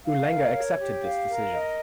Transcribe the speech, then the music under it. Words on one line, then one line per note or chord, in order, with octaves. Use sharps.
Ulenga accepted this decision.
F5
A#4
C#5
G4
F5
A#4
D#5